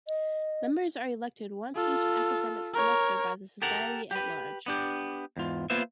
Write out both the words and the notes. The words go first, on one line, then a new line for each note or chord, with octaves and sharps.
Members are elected once each academic semester by the Society at large.
D#5
F4 A4
A#4 C#5
G4 A4 A#4 F#5
G4 B4
B3 D4 G4
E2 G#2 F4
A#3 B3 F4 B4 C5 E5